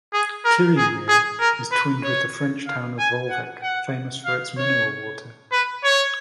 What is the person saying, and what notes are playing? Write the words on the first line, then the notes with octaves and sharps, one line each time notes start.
Kirriemuir is twinned with the French town of Volvic, famous for its mineral water.
G#4
A#4
G#4
G#4
A#4
B4
C#5
F5
G#5
F#5
F#5
F5
C#5
B4
C#5